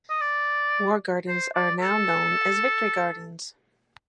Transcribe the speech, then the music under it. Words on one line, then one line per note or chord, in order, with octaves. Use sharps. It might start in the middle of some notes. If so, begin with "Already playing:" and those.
War Gardens are now known as Victory Gardens.
D#5
D5
C5
D5
A4